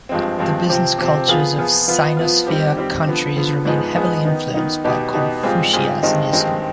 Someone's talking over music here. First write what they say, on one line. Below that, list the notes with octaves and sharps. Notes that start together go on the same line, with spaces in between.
The business cultures of Sinosphere countries remain heavily influenced by Confucianism.
G2 F3 G#3 C4
G2 F3 G#3 C4
C3 F3 C4
C3 F3 C4
F3 B3 F4 G#4
F3 B3 F4 G#4
F3 B3 F4
F3 B3 F4
D#3 G3 C4 G4
D#3 G3 C4 G4
D3 F3 B3
D3 F3 B3
G#2 F3 B3 D#4 G#4
G#2 F3 B3 D#4 G#4
D#3 B3 D#4
D#3 B3 D#4
B2 B3 D#4 G4
B2 B3 D#4 G4
G#2 G3 C4 F4 G#4
G#2 G3 C4 F4 G#4
G2 D#3 G#3 C4 D#4
G2 D#3 G#3 C4 D#4